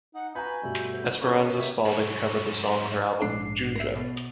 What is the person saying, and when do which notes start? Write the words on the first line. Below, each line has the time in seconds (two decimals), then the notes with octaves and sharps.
Esperanza Spalding covered the song on her album "Junjo".
0.15 D#4 F#5
0.35 F#4 B4 F5 G#5 A#5 B5 G6
0.63 G2 B2 A3
1.04 C#6
1.22 A#3 C#4 F4 B4 C#6 E6
1.57 C3 G4 C#5 E5
1.86 G#2 F#3
3.22 A#1 G#2 D4 C7
3.76 A#4 E5
3.95 B2